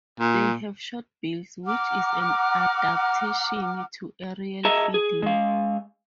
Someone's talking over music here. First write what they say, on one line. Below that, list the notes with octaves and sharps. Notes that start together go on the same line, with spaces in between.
They have short bills, which is an adaptation to aerial feeding.
A#2
F#5 A#5 D6 F6
G#4 D#5 E5 A5 A#5
G#4
G#3 F5